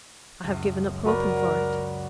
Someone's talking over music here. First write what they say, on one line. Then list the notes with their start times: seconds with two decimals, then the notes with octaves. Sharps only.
I have given up hoping for it.
0.44 C#2 F#2
1.05 F#4 A#4 B4 D5